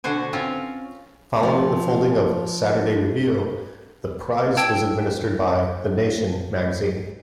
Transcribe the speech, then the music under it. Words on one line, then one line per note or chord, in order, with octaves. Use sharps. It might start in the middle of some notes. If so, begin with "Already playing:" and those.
Following the folding of "Saturday Review", the Prize was administered by "The Nation" magazine.
B2 D3 F#4 C5 G#5
C4 C#4 F4
F3 A3
G5 A5 E6 G#6 D7